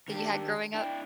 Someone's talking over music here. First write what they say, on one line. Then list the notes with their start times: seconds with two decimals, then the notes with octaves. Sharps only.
that you had growing up?
0.08 D#3 D4 G4
0.74 D4 E4 G5